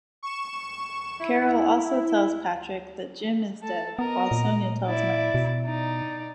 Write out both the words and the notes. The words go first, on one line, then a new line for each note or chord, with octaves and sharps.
Carol also tells Patrick that Jim is dead, while Sonia tells Max.
C#6 E7
E4
A4
B3 A#4 D#5
A#2
E4 D5
B2
D#4 D5